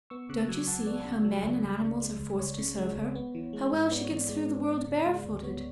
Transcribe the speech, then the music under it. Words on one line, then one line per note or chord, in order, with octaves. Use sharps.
Don't you see how men and animals are forced to serve her; how well she gets through the world barefooted?
B3 C#6 E6
C#3 D6 F#6
F#3 E6 G#6
C#2 F#5 A5
B3 D5
C#3
F#3
C#2
C#2
C#3
G#3
C#2
C#2 C#5
C#3
G#3
C#2
B3
E3
G#3
G#2
B3 D5
C#5
E3
D5
G#3
G#2
B3
C#3
G#3
D2
B3 C#5